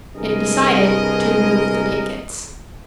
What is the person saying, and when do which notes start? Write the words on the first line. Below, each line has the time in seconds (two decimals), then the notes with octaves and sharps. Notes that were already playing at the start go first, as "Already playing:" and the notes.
It decided to remove the pickets.
0.16 C2 G2 G#4 A#4 D#5